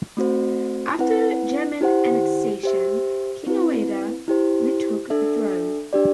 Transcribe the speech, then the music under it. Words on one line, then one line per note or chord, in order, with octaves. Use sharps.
After German annexation, King Aweida retook the throne.
A3 C4 F#4 C5
C4 E4 B4 F#5
E4 G4 C5 F#5
G4 C5 E5
C4 E4 B4
E4 G4 C5
D4 A4 E5
D4 G4 D5